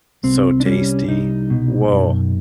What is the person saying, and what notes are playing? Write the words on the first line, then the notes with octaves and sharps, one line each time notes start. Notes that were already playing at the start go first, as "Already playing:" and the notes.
So tasty. Woah.
C2 C4
D4
G3 C#4
C2 D#4
B2
F#2